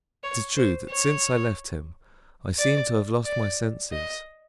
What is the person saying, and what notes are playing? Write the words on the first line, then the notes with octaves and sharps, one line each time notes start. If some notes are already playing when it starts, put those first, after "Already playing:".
It is true that since I left him, I seem to have lost my senses.
C#5
C5
C#5
D5
D5
D#5